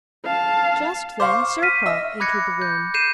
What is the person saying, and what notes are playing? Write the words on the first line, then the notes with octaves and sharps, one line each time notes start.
Just then Zherkov entered the room.
F5 A5
C5 F5 C#6 D6
F6 B6 D#7
D#5 E5 E6
B5 D6 F#6 G#6 A#6 C#7
G6
G6 C7 D#7 E7